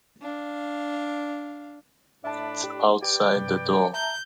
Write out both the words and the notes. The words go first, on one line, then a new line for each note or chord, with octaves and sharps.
It's outside the door.
D4 F5
A2 D4 E5 A5 B5
G4
G4 B4 D5 G5
G2 C3
E5 A5 A#5 G6